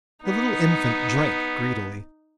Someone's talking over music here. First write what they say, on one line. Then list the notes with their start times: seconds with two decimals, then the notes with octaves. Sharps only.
The little infant drank greedily.
0.24 B3 D#4